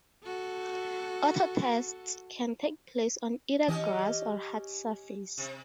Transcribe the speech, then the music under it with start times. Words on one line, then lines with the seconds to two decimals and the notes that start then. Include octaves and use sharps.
Autotests can take place on either grass or hard surface.
0.24 F#4 A4
3.68 E3 C#4 G4 D#5
5.38 C3